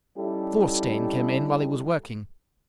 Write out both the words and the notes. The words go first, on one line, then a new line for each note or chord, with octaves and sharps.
Thorstein came in while he was working.
G3 C#4 D#4 E4 G4 A4